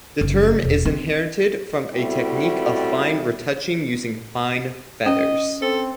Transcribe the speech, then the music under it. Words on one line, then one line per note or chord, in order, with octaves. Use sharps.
The term is inherited from a technique of fine retouching using fine feathers.
F#1
E1
C4
G3 A3 C4 E4 F#4
C#4 D#5
C4 A4